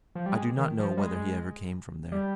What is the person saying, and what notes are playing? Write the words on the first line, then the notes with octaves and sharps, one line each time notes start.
I do not know whether he ever came from there.
F3
G3
G#3
D#3
F3
G3
G#3
G3